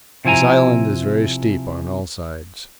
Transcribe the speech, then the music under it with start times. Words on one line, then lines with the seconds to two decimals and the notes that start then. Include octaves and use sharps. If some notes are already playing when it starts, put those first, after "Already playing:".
This Island is very steep on all sides.
0.25 C3 F3 E4 G#5 A#5